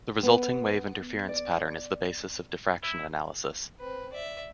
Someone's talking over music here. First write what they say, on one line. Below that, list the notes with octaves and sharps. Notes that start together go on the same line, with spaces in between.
The resulting wave interference pattern is the basis of diffraction analysis.
B3
D5
E4
C4 B4
D5 E5